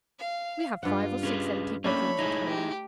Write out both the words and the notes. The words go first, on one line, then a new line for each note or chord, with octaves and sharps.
We have five or six empty bed-rooms at home.'
F5
G2 F4 G4 F#5
C#4 G#4 B4
A3 A#3 C#4 D4 C#5 G5 B5
D#4 E4 G#4
G4